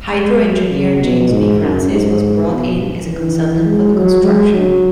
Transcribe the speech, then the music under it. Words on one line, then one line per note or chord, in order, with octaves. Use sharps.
Hydro engineer James B. Francis was brought in as a consultant for the construction.
G#3
F#3
C#3
B2
G#2
F#2
G#2
B2
E3
G#3
F#3
G#3
F#3